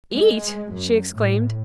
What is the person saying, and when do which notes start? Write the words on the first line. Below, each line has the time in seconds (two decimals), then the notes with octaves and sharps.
"Eat!" she exclaimed.
0.14 G#3
0.72 F#2
1.14 A2